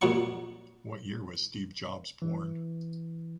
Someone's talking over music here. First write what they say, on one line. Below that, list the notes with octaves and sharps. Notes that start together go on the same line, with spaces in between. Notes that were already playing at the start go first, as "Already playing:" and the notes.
What year was Steve Jobs born?
F2 A#2 F#3 F#5 C#6
E3